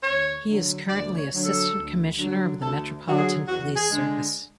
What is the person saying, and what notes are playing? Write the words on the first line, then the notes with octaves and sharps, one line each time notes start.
He is currently Assistant Commissioner of the Metropolitan Police Service.
D2 C#5
D3 F#3
D2 D5
C#5
D3 F#3
A4
D2
D3 F#3
D2 A4
D3 F#3 F#4
G#4
E2 F#4
G#4
D3 G#3